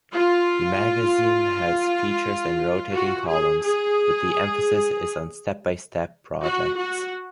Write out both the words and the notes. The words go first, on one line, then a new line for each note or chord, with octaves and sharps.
The magazine has features and rotating columns, but the emphasis is on step-by-step projects.
F4
F#4
G#4
G#4
F#4
F#4